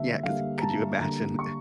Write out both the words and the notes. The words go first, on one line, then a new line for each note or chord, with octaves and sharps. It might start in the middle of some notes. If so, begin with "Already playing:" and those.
Yeah, 'cause could you imagine
Already playing: D3 G3 A#3 E5
D3 G3 A#3 F5
A#5
A5
D3 G3 A#3 A#5
C#6